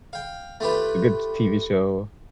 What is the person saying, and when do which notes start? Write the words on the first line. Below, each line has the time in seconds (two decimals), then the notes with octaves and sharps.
a good TV show,
0.13 F5 G5
0.60 A3 F4 G4 B4